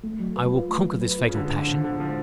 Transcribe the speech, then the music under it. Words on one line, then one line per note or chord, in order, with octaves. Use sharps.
I will conquer this fatal passion.
A3
F#3
B4
F4
A3
F#3
B4
F4
C#3
D3 G#3
A2 D3
A2 F3
D3 B3
D3
F3 G#3